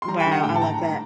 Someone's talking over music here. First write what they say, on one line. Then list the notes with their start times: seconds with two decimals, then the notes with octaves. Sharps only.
wow, I love that.
0.02 C6
0.08 G3 A#5
0.20 G5
0.26 D3
0.32 F#5
0.44 A2 G5
0.56 A5
0.62 A2 A#5
0.79 G2